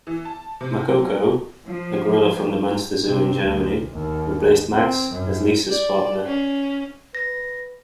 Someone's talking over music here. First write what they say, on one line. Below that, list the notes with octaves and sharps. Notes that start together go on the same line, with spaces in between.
Makoko, a gorilla from the Munster Zoo in Germany, replaced Max as Lisa's partner.
E3
A5
C3
F#3
F3
C3
D2
D#2
C4
F#2
D5
C#4
B4 A#6